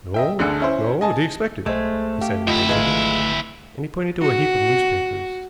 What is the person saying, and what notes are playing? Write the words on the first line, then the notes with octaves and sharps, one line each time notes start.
"No, no; the expected," he said impatiently, and he pointed to a heap of newspapers.
D#5 E5 G5
D2 D3 G#4 C#7
C#4 E4 C5
D#5 G#5 A5
B1 G#3 A3 C5
G4 F5
D2 E4 F4 D#5
G#1 G#3 F4 B4
F#4